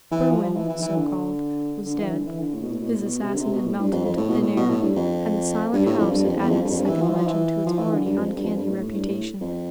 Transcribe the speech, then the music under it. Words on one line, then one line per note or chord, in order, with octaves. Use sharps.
Berwin--so called--was dead, his assassin had melted into thin air, and the Silent House had added a second legend to its already uncanny reputation.
E3
F3
F3
E3
E3
E3
D3
D3
E3
D3
E3
D3
A2
B2
A2
B2
A2
B2
C3
D3
C3
B2
A2
G2
F2
F2
A2
B2
A2
B2
A2
G2
F2
G2
A2
F2
G2
F2
E2
F2
G2
F2
G2
E3
F3
E3
F3
E3
F3
E3
D3
G2
F2
G2
F2
G2
A2
A2
G2
A2
F2